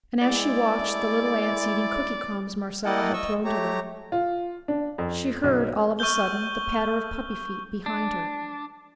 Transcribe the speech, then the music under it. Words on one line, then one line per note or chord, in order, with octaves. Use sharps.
And as she watched the little ants eating cookie crumbs Marcella had thrown to them, she heard all of a sudden the patter of puppy feet behind her.
G#3 E4 D5
A#3 E4 D#5 F#5 G5 A5
D#5 C#6 E6
A3 G4 C#5 A#5
F4
D4
F2
B1
C#6 E6 F6 G6 G7
D4